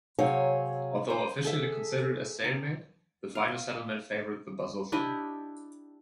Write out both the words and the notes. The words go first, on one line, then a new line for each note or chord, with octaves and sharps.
Although officially considered a stalemate, the final settlement favoured the Basotho.
C3 F#3 C4 G#4 C#5 F5
C5
G#4 A4 E5
C3
F5
D4 E4 G4 D#5